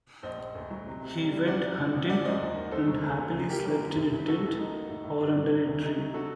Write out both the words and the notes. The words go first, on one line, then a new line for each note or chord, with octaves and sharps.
He went hunting and happily slept in a tent or under a tree.
A#1 C5 D#5
A#1
D2
F#3
C3
C3
G3
G3
F#2 D5 F#5
F#2
A1
A1
F#2 D5 F#5
F#2 C5 D#5
D#2
D#3
D2 A4 C5
F#3
D2
D3
F#2
A#3 G4 A#4
F#3 G4 A#4
F#1
C2
C2
F#1 F#4 A4
F#1
A#3 D#4
A#3
A2
A2
G2 D4
F#3
D3
D2
C3 D#4
F#3
A3 F#4 A4